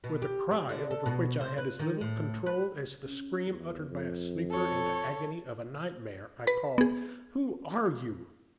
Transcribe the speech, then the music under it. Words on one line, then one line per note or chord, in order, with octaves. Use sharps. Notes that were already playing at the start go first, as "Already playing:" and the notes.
With a cry, over which I had as little control as the scream uttered by a sleeper in the agony of a nightmare, I called: "Who are you?"
B2
G4
C4
D3
A4
B2
C5
B4
D#3
A2
B4
C#4
E2
F2
A4 C#5
B4 B5
B3 G#4